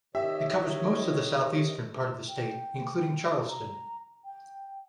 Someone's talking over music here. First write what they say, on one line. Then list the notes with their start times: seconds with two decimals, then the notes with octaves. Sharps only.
It covers most of the southeastern part of the state, including Charleston.
0.15 C3 D#3 G4 C#5 D#5 E5
2.29 G5
3.49 A#5
4.25 G5